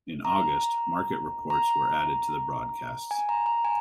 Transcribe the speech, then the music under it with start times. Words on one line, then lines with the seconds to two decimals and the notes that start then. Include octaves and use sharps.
In August, market reports were added to the broadcasts.
0.25 A#5
1.50 A#5
3.11 G#5
3.29 A#5
3.46 A#5
3.65 G#5